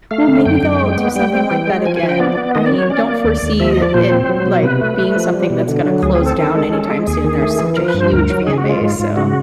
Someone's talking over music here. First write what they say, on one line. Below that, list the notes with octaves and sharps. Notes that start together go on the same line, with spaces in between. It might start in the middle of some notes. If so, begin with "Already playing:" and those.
Well, maybe they'll do something like that again. I don't foresee it, like, being something that's gonna close down anytime soon, there's such a huge fan base, so
A3 F5
D3
F#2 G5
F#2
G#3
B3
G3 G5
C4
E3
G#3
F3 G#5
G#5
F3
G5
B3 D5
B3
D#3 D#5
D5
F#3
C#5
C#4 D5
A#3
D#2
D#2
F3 E5
D#5
F3
D5
A#2 C5
C4
F#3
B2
C3 B4
A3
A3
F3
G3
B2
D3
F#3
D2 G#4
G#4
C4
A4
D#3
G#3
C#4
G#3
D#2 G#4
D#3
A3
E3
F3 A#4
B4
G2
C5
D2 A#4
F#3
C#3 G#4
F#4
G#3
F4
G#2
G#2
C#3 F#4